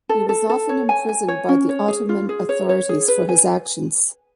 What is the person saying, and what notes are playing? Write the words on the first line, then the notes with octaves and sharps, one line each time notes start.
He was often imprisoned by the Ottoman authorities for his actions.
A4
A4
A4
C#5
G#5
G#5
C#5
C#4
C#5
G#4
F4
G#4
C#5
C#5
G#4
B4
G#5